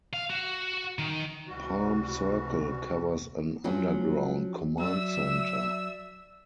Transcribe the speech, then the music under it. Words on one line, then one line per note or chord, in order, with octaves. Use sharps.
Palm Circle covers an underground command center.
F5
F#4
D#3
C#2 C3 E3 G3 F#4
F3 F#3 C#4 F#4
F#3 D5 E5 E6